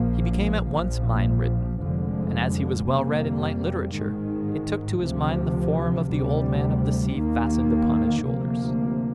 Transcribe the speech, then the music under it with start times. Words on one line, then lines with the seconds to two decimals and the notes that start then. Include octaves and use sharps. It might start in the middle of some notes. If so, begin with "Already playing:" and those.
He became at once mine-ridden, and as he was well read in light literature it took to his mind the form of the Old Man of the Sea fastened upon his shoulders.
Already playing: A#1 A#2 F3 A#3
0.73 A#1 A#2 F3
1.80 F1 F2 D3 F3 G#3
2.87 F2 C3 G3 A#3
3.95 G#1 G#2 D#3 G#3
5.02 D2 C3 F3
6.10 D2 C3 G3
7.18 D#2 D#3 A#3
8.25 D2 C3 F3 A#3